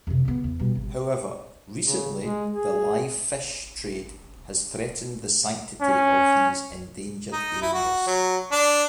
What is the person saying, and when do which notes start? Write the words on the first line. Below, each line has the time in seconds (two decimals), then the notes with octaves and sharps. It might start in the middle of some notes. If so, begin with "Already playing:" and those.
However, recently the live fish trade has threatened the sanctity of these endangered areas.
0.07 F2 C3
0.25 C#3 B3
0.44 E2
0.59 B2 G3
0.75 G#1
1.84 C#3
2.24 G#3
2.54 G#4
5.81 C#4
7.32 D#4
7.62 E4
7.73 F#4
8.07 F#3
8.52 D4